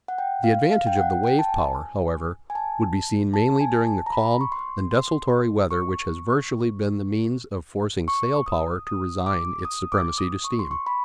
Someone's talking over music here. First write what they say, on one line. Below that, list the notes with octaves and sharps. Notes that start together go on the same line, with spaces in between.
The advantage of the wave-power, however, would be seen mainly during the calm and desultory weather which has virtually been the means of forcing sail-power to resign its supremacy to steam.
F#5
G5
F5
F5
G5
F#5
G5
A5
G#5
G#5
A5
A5
A5
G#5
A5
A#5
B5
C#6
C6
C6
C#6
C#6
D#6
D#6
D6
D#6
D6
D#6
C#6
C6
C#6
B5